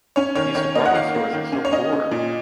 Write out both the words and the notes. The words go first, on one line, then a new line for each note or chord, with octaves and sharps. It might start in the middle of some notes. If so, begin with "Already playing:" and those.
These department stores are so poor!
C#4 C#5
D#3 C#5
D#3 C#5
A#3 D#5
F#5
D#3 F5
A#3
D#3
C#4
C#5
C#4 D#5
C#4
A#2